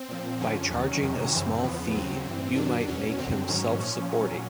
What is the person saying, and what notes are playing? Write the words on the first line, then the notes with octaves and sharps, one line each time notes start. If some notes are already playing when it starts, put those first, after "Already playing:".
By charging a small fee you might make him self-supporting.
Already playing: C4
A#2 F3
F#2 D3 F3 C#4
D#2 D#3 F#3
F2 C3 D#3 F#3
F#2 C#3 E3 C4
E2 C#3 F3 B3
D#2 C#3 F#3 C4
G2 E3 C4
F#2 D#3 F#3 D4
E2 B2 F#3 C#4
F#2 D3 F#3 C4
G#2 D#3 F#3 C#4
A#2 F3 C#4
A#2 F#3